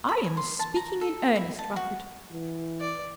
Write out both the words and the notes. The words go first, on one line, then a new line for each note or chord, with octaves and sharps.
I am speaking in earnest, Rufford.
B5
G#5
C6
A5
A#5
A4
E4
A5
F#4
E3
D5